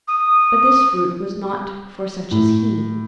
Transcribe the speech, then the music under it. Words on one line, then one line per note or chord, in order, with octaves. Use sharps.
But this fruit was not for such as he.
D#6
A2